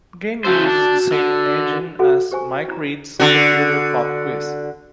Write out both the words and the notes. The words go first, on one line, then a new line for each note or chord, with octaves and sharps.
The game uses the same engine as "Mike Read's Computer Pop Quiz".
C#3 A3 F#4 C5 E6 G6
D4
D3
F#4 G#4 A4 F#5
G4 C5 G#5 C#6
E4 A#5
D3 F#4